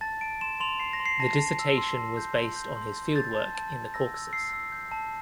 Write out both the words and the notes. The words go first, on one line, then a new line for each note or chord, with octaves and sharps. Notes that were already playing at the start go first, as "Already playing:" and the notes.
The dissertation was based on his field work in Caucasus.
A5 A6
A5 D7
C6 E7
C6 F7
C6 C7
A#6
C6
C7
A5 A#6
A5
E6
C6
A5
G6
C6
G6
C6
C6
G6 A6
A5
A5
A5
E6 A#6
E6
E6 C7
E6
G6
A5